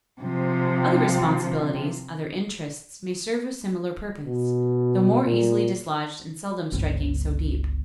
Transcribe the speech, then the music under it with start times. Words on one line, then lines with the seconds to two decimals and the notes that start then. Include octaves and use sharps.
Other responsibilities, other interests, may serve a similar purpose, though more easily dislodged and seldom striking so deep.
0.22 C3 F3
4.25 B2
5.24 A#2
6.72 G1 C#2